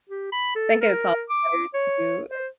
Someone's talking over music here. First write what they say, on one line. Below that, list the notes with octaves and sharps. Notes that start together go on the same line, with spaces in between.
I think it's all better to
G4
B5
A4
A#4
D6
C#5
C5